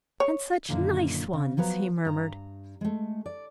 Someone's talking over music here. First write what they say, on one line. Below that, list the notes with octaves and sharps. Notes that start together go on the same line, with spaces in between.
"And such nice ones," he murmured.
C#5
F#2 A#2 D3 D#3 A#3
C#3
F3 F#3 B3 B4 A#5
G2 A#5
G#3 A3
D5